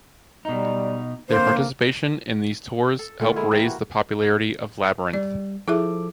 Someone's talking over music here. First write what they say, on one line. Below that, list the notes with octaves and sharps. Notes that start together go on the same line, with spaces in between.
Their participation in these tours help raise the popularity of Labyrinth.
B2 G3 D#4
D3 A#3 C4 C5
A4
A2 D3 A3 F4
G#3 A#3 E4
E3 A#3 G4
F#4
G3 D5
F3 E4 G#4 A4 E5 D6